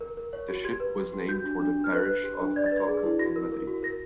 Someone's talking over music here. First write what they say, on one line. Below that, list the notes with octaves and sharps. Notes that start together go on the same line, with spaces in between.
The ship was named for the parish of Atocha in Madrid.
A#4
A#4
C#5
F#4
G4 G#6
B4
G4
G4
F#4 G6
D4
D4
D4
F6
B4 F#6
B4
G4
D4
D5 G#6
A6
B4
G#6
G#4
E4
F#4 A#6
A#4
A#4
F#4
A#4 A#6